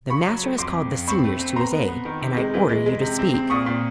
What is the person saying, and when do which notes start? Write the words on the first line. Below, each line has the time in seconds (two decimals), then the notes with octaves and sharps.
The master has called the seniors to his aid, and I order you to speak.
0.10 C#3 B5 C#6
0.27 F#3
0.43 A3
0.58 F2 C6 D6
0.75 F2
0.92 F2
1.08 C4 B5 C#6
1.24 A3
1.39 C4
1.56 B3 A#5 C6
1.73 B3
1.88 B3
2.05 D#3
2.21 C3
2.37 G#3
2.54 E3
2.69 G#3
2.86 G#3
3.01 C3
3.19 C4
3.34 C4
3.50 A#2 C#6 D#6
3.66 A#2